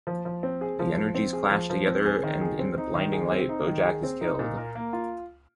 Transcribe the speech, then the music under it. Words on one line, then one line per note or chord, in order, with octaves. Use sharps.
The energies clash together and in the blinding light Bojack is killed.
F3
F3
C4
G#4
F3
F3
C4
G#4
F3
F3
C4
G#4
D#3
G#4
C4
D#4
D#3
G#4
C4
D#4
D#3
G#4
C4
D#4
A#2
A#4
A#3
F4